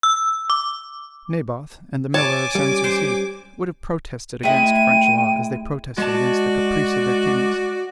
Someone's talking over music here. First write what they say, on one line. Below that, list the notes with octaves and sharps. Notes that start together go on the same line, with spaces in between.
Naboth, and the miller of Sans-Souci, would have protested against French law, as they protested against the caprice of their kings.
E6
D6
C#5 G#5 A5 D6
G3 C#4
C5
G#3 A3 E4 D#5 G5 D#7
G#3 F#4 D5 A5